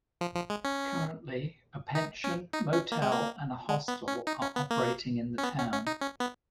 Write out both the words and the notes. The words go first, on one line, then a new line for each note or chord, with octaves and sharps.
Currently, a pension, motel and a hostel are operating in the town.
F3
F3
G#3
C#4
D#4
C#4
D#4
C#4
A#3
G#3
A#3
G#3
B3
C#4
D#4
C#4
B3
A#3
C#4
B3
C#4
C#4
D#4
C#4
B3